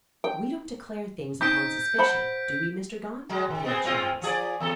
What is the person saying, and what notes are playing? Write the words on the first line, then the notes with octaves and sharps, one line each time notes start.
"We don't declare things upon suspicion, do we, Mr. Gaunt?" appealed Charles.
G5
C4 D#4 G6 B6 D7
C5 F#5 B5
F#3 G#3
D#3
B3 C4 G#4
G#3 C4 F4
F3 G#4 D5
E2 A4